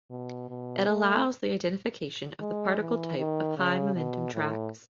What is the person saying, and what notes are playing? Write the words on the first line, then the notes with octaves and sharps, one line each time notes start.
It allows the identification of the particle type of high-momentum tracks.
B2
B2
A3
G#3
E3
D#3
C#3
B2
A2